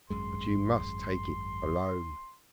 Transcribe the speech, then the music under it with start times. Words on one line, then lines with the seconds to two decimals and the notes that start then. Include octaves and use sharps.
But you must take it alone.
0.10 G#1 F#2 G#3 C6